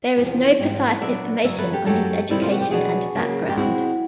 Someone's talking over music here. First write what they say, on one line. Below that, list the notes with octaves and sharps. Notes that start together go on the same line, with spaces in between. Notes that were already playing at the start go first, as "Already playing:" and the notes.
There is no precise information on his education and background.
E2 C3 F3
G#2 E3 G3 C4
A#2 F#3 B3 D4 D5 E5
F#2 C#3 F#3 E5
A4 B4
G4 A4
F#2 D3 F#3 A3 G4 A4
C3 D#3 G3 E4
F4
F#4
G4
B2 F#3 B3 D4 F#4 G#4
C#3 F#3 A#3
G4
B2 G#3 C4 E4 F#4